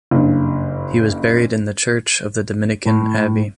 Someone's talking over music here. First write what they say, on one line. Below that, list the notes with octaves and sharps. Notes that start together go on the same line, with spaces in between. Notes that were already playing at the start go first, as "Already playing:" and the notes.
He was buried in the church of the dominican abbey.
F#1 G2
A2